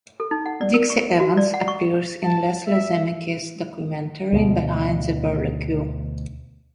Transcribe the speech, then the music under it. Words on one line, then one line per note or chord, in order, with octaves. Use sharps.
Dixie Evans appears in Leslie Zemeckis' documentary "Behind the Burly Q".
A4
D#4
F#5
D5
A#4
C#6
F#4
D5
F#5
C#6
A5
E5
D2 B2